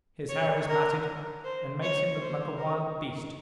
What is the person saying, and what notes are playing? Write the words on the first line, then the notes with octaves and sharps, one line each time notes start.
His hair is matted, and makes him look like a wild beast.
C#5
A#4
C5
C#5
C5
A#4